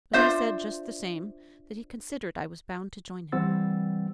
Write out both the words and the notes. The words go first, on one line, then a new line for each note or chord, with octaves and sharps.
But he said just the same!--that he considered I was bound to join him.
D4 F4 C5 E5
E3 G3 C4 F#5 E6 A6